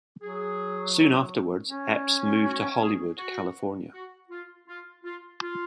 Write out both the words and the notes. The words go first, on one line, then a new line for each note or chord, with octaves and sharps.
Soon afterwards Epps moved to Hollywood, California.
F#3 G#4
C#4
F#4
G#4
F#4
F#4
F4
F4
F4
F4